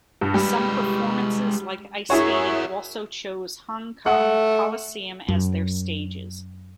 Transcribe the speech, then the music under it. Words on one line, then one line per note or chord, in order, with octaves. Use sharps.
Some performances like ice-skating also choose Hong Kong Coliseum as their stages.
G2
G3 G#3 B4
E4 F#4 G#4 A#4 C#5
A3 F#5
F#2